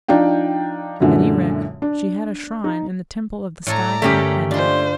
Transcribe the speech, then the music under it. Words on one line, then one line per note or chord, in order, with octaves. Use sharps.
At Erech she had a shrine in the temple of the sky god Anu.
F3 D4 D#4 F5 G5
F#2 A#2 D3 E3 G#3
D4
D#4
A2 A4 D5 G#5 A#5
G2 D3 A3 A#3 C#4 G4 A#4
D4 F4 C5 D#5 G#5 C6 C#6